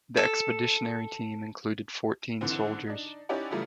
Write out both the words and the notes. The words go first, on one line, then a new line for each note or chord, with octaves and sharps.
The expeditionary team included fourteen soldiers.
A4
G#2 D3 E3 C4
D4 D#4
C#4 D#4 E4 G4 D5 F#5
C#3 E3 F#3 G3 A3 F4